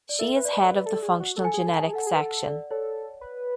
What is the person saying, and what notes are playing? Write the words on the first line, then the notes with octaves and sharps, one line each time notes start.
She is head of the functional genetics section.
D5
A4 E5
B4
D5
B4
A4
B4
A4
G#4
F#4
A4
G#5
G#4
A4 A5
G#4
A4 F#5
G#4
B4
A4 F#5
D5
A4 C#5
B4